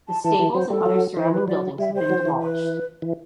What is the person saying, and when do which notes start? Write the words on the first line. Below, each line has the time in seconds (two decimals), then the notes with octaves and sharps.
The stables and other surrounding buildings have been demolished.
0.08 A5
0.23 E3 A5
0.39 E3
0.55 F#3 C5
0.70 G3 A4
0.86 F#3
1.17 E3 C5
1.33 B4
1.48 F#3 D5
1.78 G3 E5
1.95 C5
2.10 F#3
2.25 E3
2.41 B4
3.02 E3